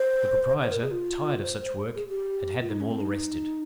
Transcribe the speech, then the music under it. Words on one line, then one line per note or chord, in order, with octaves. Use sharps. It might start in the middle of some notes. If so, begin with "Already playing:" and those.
The proprietor, tired of such work, had had them all arrested.
Already playing: C5
C5
A#4
G#4
F4
C5
G#4
G4
F4
D#4
C#4
C4
D#4